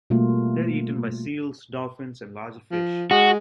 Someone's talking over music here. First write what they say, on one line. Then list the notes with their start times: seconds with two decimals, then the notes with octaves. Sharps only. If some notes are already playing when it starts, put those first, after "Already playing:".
They are eaten by seals, dolphins and larger fish.
0.10 B2 G3 A3 A#3 F4
2.72 F3
3.11 G#3 F#4